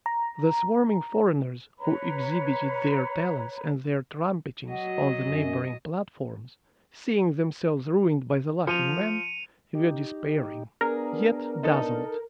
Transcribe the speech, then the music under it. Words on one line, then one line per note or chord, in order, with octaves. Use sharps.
The swarming foreigners who exhibited their talents and their trumpetings on the neighbouring platforms, seeing themselves ruined by the Laughing Man, were despairing, yet dazzled.
A#5
B4 C#5 A#5 B5
F#3 F#4 D#5
F#2
F3 C#7 D#7 F7
D#4 G4
B3 D4 G#4 A#4
D#4 A4